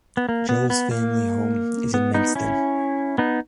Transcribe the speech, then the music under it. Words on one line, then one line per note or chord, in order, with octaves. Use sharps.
Jewell's family home is in Menston.
B3
A#3
B3
B3
A#3
B3
B3 D#4
C#4 E4
B3 D#4